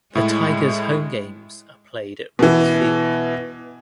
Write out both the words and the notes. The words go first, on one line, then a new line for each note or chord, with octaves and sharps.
The Tigers home games are played at Riggs Field.
A2 G#3 E4
B2 E3